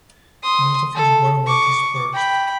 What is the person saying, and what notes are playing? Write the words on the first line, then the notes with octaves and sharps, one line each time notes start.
Most of his work was dispersed.
C6 D#6
A4
C#6 D6
G5 B5